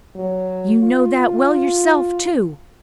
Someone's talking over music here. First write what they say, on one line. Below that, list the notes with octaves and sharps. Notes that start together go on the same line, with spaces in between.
You know that well yourself, too.
F#3
F4